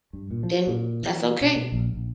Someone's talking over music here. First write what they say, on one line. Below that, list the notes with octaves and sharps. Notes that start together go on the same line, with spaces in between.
then, that's okay,
G2
A#2
F3
A#2
E3
B2
B2
A#1
A#1